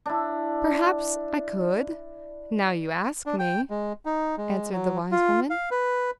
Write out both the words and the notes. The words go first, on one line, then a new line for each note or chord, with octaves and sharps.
"Perhaps I could, now you ask me," answered the wise woman.
D4 E4
D4
G5
G#3
D#4
G#3
F#3
F4
F5
B4